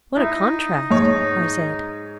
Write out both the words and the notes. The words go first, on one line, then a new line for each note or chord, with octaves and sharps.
"What a contrast!" I said.
D#4 E4
G#2 C#5